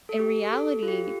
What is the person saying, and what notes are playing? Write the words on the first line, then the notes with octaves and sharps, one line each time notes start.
in reality,
A4
G4
A4
F4
G4